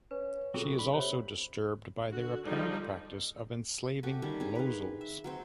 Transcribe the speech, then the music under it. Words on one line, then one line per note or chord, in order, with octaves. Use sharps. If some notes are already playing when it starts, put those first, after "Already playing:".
She is also disturbed by their apparent practice of enslaving Losels.
C#4 B4
B1 C4 F4 F#4 G#4 A4
D3 B5
C3 C#5
D3 F#4
D3 F3 G3 D#4 G#4
A3 F#4 G4
D#3 G3 C#4
C4 G#4
B4 F5
E5
F#3 C4 C5